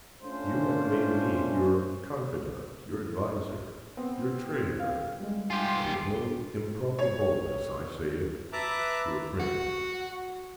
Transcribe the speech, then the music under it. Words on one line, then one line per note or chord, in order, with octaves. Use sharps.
You have made me your confidant, your adviser, your treasurer, and with no improper boldness I say it, your friend.
A3 C#4 D4 F4 C5
B3 C4
G#6
F5
G3 G#3
F4 G4 G#5 C6
C#5
B4 E5 A5 A#5 D6 F#6
F#4